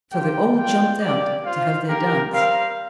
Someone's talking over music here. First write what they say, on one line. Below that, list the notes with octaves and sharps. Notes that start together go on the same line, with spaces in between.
So they all jumped out to have their dance.
A#3 G4 C5 G5
F4 D5 G5
A#3 G4 D5
F4 C5 F5
A#3 G4 A#4
G3 C4 A#4 F5